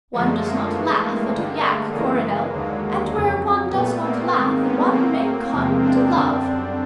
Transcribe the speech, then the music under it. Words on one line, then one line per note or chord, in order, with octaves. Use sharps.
One does not laugh at a yak, Coronel, and where one does not laugh one may come to love. . . .
F#2 D3 F3 G#3 A3
G#3 A#3
G2 E3 G#3 A3
G#3 A#3
G2 D3 G3
A3
F#2 C#3 E3 G#3 A#3
D#2 D3 F#3
F2 C#3 F#3
A#2 G3 A3 B3
A#3 C4
G#2 D#3 G#3
B3 C#4
A2 F#3 A#3 C4
E2 C3 F3 G#3
C4 D4
F#2 D3 G3